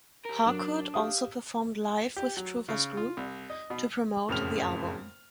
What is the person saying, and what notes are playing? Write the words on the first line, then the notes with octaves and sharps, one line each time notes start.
Harcourt also performed live with Truffaz's group to promote the album.
G4 A#4
F#3 D4 A#4
G4 F5 D#6
G4
F#3
C#3
F4
C2
D#5
B2
F#1 F2 A2 C#3 F6 F7